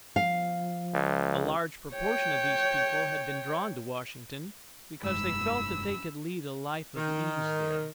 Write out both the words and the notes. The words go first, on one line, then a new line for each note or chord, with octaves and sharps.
A large proportion of these people had been drawn to Washington because they felt that they could lead a life of ease there.
F3 F5
C#2
C#5 G5
F1 G2 G#3 B5 E6
D#3